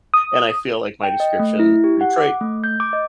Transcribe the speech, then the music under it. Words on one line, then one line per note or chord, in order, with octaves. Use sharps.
and I feel like my description Detroit
D#6
G5
D#5
A3
E4
G4
F#5
D6
A3
G6
D6
D#5